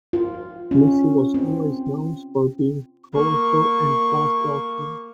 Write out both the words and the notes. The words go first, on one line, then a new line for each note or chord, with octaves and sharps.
Missy was always known for being colorful and fast talking.
F4
C#4
C4
A#3 C#6